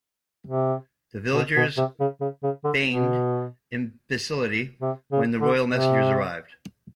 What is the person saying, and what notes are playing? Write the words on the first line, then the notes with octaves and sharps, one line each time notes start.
The villagers feigned imbecility when the royal messengers arrived.
C3
B2
B2
C3
C#3
C#3
C#3
D3
B2
C3
C#3
D3
C3